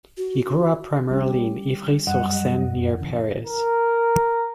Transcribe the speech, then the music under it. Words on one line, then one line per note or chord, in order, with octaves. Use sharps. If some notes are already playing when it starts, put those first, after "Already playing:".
He grew up primarily in Ivry-sur-Seine near Paris.
F#4
G3 C#4 G4
F#2 G3 D#5 F#5
F2
C#3 E3 C#4
A#4